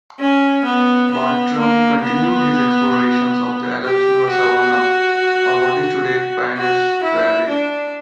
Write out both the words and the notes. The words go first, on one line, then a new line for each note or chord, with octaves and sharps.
Bartram continued his explorations of the Alachua Savannah, or what is today Paynes Prairie.
C#4
B3
B3
A#3
B3
G4
F#4
F#4
E4
D4